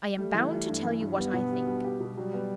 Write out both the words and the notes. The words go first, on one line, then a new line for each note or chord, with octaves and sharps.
I am bound to tell you what I think.
G3 A3
E3
G3
G2
E3
G2
G3 B3
B2
G3
G3
G4
B2
F#3 G3
B3